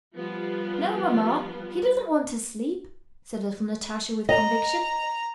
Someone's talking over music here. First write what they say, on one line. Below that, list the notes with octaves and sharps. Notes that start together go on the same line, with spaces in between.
"No, Mamma, he doesn't want to sleep," said little Natasha with conviction.
F3 G3 B3 F4
D#5 A#5